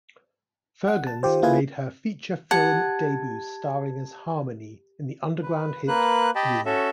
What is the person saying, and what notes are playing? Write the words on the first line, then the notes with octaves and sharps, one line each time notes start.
Firgens made her feature film debut starring as Harmony in the underground hit "Groove".
F#5
A5
D#3 F4 G4 C5
A#3 E4 F4 G#4 B4 G#5
G4 F#5 A5 G#6
B4
A#3 B4 F#6
G4 D#5 G5 A5 B5
C#4 F#4 A4 E5